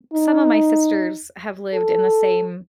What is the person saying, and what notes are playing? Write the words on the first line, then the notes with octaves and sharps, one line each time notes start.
some of my sisters have lived in the same
D#4
A4